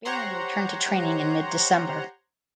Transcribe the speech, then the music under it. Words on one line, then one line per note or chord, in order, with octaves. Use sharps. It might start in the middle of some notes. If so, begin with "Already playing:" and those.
Barron returned to training in mid-December.
G4 C5 C#5 F#5 A#5 C6